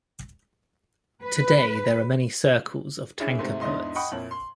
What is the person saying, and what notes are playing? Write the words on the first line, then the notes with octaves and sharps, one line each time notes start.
Today there are many circles of tanka poets.
B4
C#4 D4 E4 G#4
G#2 C3 A3 C4
E2 G#2 D4 E4 D#5 C6
D#5 F#5 G5 B5 C#6 D#6
F2 A#2 E4 C#5 F#7
C6